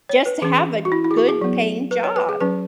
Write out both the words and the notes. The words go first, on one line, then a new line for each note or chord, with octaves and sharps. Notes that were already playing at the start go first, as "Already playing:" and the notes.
just to have a good paying job.
C#5
B4
E3 C#4 G#4
F#4
E4
E4
G#4
F#4
G#4
F#3 B3
B4
C#5
B4
G#4
F#3 C#4 B4